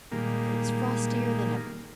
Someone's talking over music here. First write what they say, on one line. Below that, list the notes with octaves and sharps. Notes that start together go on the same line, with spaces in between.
It was frostier than ever.
A#2 D#3 G3 G#3 A#3